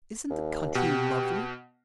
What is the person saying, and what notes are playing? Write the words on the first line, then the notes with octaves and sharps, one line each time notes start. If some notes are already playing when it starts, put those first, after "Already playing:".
Isn't the country lovely!
D#2
B2 G4 F#5